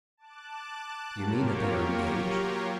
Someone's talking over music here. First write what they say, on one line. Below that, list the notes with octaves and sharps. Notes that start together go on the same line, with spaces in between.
"Do you mean that they are engaged?"
A5 D6 F#6
F#3 A#3 F4 G4 A#4 C#5